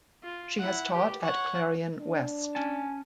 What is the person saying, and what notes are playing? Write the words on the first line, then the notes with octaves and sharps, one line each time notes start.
She has taught at Clarion West.
F4
E4 F#5
G4 B4
C#5 F#5
D4
C#4 G#5 A5